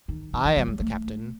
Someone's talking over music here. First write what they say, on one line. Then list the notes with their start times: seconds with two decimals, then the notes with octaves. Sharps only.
"I am the captain."
0.08 D#3
0.33 D#3
0.45 E3
0.57 F#3
0.68 G#3
0.80 A3